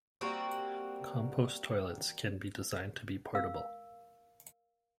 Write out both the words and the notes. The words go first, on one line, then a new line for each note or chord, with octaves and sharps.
Compost toilets can be designed to be portable.
G3 A#3 C4 F#4
A#4 F5 E6